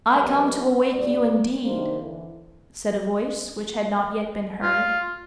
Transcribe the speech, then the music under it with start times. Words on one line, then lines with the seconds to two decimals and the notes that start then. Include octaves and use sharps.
"I come to awake you indeed," said a voice which had not yet been heard.
0.11 F3 G3 B3 A#4 C#5 D#5
0.93 D2 G2 A#2 D5
1.64 C3 D#3 A#3 D4 C5
2.01 D3 E3
4.63 F4